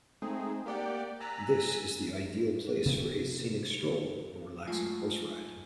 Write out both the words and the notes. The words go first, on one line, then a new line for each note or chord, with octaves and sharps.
This is the ideal place for a scenic stroll or relaxing horse ride.
G#3 A3 C4 D#4 G#4
A#3 G4 D5 F#5 G5
G#5 A#5 E6 F#6 A6 B6
C3 F#3 B3 C4
F#3 G#3 A3 F4 G#5